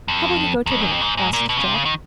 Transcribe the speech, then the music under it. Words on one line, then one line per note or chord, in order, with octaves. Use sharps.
"How will you go to work?" asked Jack.
F2
E2
F2
F#2
F2
G#2
G#2
A#2
B2
C#3
C3
C#3
D#3